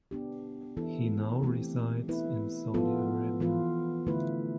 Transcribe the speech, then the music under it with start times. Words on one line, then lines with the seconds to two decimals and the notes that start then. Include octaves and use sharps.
He now resides in Saudi Arabia.
0.11 B3 D4 G4
0.77 E3 B3 E4 A4
1.43 E3 A3 C4 G4
2.08 B3 E4 B4
2.74 F3 B3 F4 A4
3.40 E3 B3 F4 B4
4.07 D3 A3 E4 B4